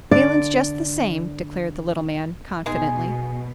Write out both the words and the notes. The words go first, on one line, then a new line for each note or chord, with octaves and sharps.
"Feelin's jest the same," declared the little man, confidently.
D3 D5
B2 G#3 D#4 G#4